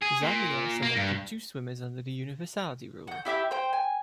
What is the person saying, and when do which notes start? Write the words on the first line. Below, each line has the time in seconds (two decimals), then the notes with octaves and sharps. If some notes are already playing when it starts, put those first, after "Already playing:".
Zambia selected two swimmers under the Universality rule.
0.02 G#4
0.23 A#2
0.83 A#3
0.96 G2
3.07 F#5 G6
3.25 E4 G4 E5 B5
3.51 C5 G5
3.73 G#5